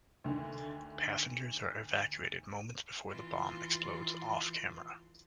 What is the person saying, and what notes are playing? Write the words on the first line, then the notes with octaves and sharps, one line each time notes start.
Passengers are evacuated moments before the bomb explodes off-camera.
D2 D3 D#3
E3 F4